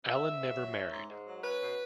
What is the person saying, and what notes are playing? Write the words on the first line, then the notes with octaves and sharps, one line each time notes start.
Allen never married.
B3 E5
G#2
G#2
F#3
C#4
G#2
G#2
F#3
C#4 B4
B2